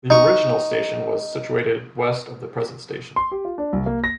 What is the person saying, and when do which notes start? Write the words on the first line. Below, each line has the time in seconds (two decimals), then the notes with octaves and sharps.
The original station was situated west of the present station.
0.10 D#4 C#6
3.16 C6
3.31 G4
3.45 F4
3.58 D4
3.73 C2
3.86 A#3
4.04 A#6